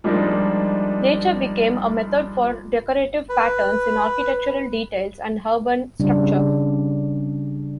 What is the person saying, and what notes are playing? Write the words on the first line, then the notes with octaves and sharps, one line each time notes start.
Nature became a method for decorative patterns in architectural details and urban structure.
F3 G3 G#3 A#3 D4 D#4
B4
C#3 G3 D4